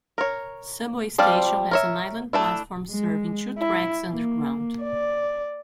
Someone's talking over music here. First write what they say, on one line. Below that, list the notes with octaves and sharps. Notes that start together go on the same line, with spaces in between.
Subway station has an island platform serving two tracks underground.
A#4 C#5
F3 G3 C4 D5 F5
A#4 C#5 E5
A3 D4 E4
G#3
E4
A#3
D5